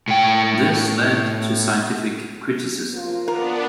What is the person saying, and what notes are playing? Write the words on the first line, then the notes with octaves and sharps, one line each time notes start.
This led to scientific criticism.
A2 G5
F3 A#3 F4
B3 D4 A#4